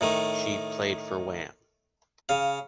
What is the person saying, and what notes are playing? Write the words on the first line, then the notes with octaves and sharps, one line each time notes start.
She played for Wam !
A2 D#3 A3
C#3 F5